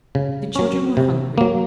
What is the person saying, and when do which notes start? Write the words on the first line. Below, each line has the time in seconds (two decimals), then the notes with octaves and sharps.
The children were hungry.
0.15 C#3
0.56 F#3 C#4
0.97 C3
1.38 F#3 A#3